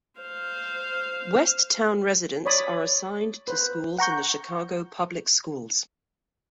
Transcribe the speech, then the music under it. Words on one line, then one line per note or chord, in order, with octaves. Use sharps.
West Town residents are assigned to schools in the Chicago Public Schools.
C5 F5
C#5 D5 B5 D#6
B4 C5
F#5 A#5 C#6 G6